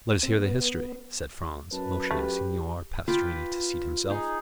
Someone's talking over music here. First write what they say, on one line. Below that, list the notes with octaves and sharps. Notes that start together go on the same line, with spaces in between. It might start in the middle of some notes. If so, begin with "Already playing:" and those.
"Let us hear the history," said Franz, motioning Signor Pastrini to seat himself.
C4
B3
F#2 B4 A5
A3 G4
F4 B4 G5 D6
D#4 G#4